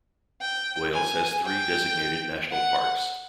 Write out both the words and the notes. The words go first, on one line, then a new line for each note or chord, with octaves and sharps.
Wales has three designated national parks.
G5
G#5
G5
F#5